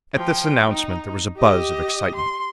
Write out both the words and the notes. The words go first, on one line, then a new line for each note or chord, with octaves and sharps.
At this announcement there was a buzz of excitement.
F3 G5
D#4
G4 D#5
C6